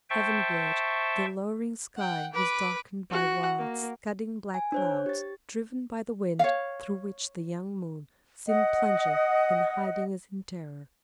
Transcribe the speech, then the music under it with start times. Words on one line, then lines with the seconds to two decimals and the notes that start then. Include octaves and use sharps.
Heavenward, the lowering sky was darkened by wild, scudding, black clouds, driven by the wind, through which the young moon seemed plunging and hiding as in terror.
0.10 C5 E5 G5 A5 C#6
1.97 F#5 G5
2.33 B4 D6
3.11 F#4 F#5
3.59 A#3
4.54 G#5
4.72 D4 C5 C#5
5.06 G4 A6
6.39 C#5 F5
8.48 D#5 F#5